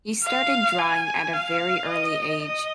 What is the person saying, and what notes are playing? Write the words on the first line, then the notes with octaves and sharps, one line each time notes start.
He started drawing at a very early age.
F5
G#5
F5
D#5
D#5